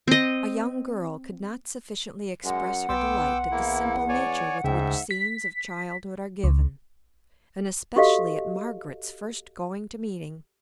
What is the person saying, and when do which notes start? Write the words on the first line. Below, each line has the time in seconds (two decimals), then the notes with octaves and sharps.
A young girl could not sufficiently express her delight at the simple nature with which scenes of childhood are given, and especially at Margaret's first going to meeting.
0.08 C4 D#5
2.44 F#2 G#3 F#5
2.89 B1 B3 G5 C6 D6 E6
3.51 E2 A#3 E4
4.09 C#5 D5 G#5
4.64 D2 G#2 C#3 E5 G5
5.11 B6
6.44 C#2
7.96 F#4 G4 A4 D#5 F5